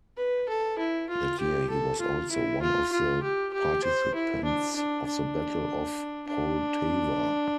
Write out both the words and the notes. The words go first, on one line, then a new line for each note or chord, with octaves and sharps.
That year, he was also one of the participants of the Battle of Poltava.
B4
A4
E4
F4
G4
A4
F4
E4
F4
F4
G4
G4
C5
E4
D4
D4
D4
D4